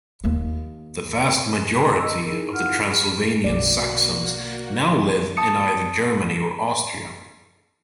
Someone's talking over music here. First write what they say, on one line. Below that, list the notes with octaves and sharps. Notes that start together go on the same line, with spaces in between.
The vast majority of the Transylvanian Saxons now live in either Germany or Austria.
D#2 A#3
D#5 B5 E6
D#4 E4 G#4 A#4
F4 F#5 F6
G#4 B5
B1 D3 A#3 F#4 D5
A5 D#6 C#7